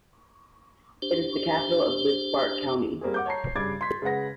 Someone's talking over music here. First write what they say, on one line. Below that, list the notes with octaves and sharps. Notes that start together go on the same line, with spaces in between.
It is the capital of Lidzbark County.
D4 G4 C5
G3 A#3 C4 G#4
F#5 D6 G6
C#5 A5 A#5 C7
G2 C#3 D6 G#6 A6
C6 B6
C#3 G#3 B4 F#5 A#6